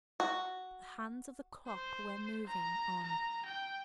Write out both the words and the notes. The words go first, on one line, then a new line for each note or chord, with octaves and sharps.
The hands of the clock were moving on.
F#4
C5
A#5
A#5
G5